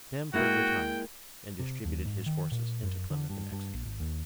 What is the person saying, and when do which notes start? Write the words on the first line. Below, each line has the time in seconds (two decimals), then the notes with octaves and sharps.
Stamford retired, and distributed his forces into Plymouth and Exeter.
0.34 G#3 A#3 E4 F#4 G5
1.60 C3
1.85 D#2
2.05 G#2
2.26 D#3
2.52 A#2
2.83 F#2
3.11 D3
3.30 G2
3.52 G2
3.74 A#1
3.85 G#1
4.00 D#2